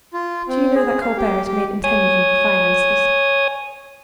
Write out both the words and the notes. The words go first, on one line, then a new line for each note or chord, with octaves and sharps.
"Do you know that Colbert is made intendant of the finances?"
F4
C4
G#4
F5
G4
G4
C#5 G#5 D#6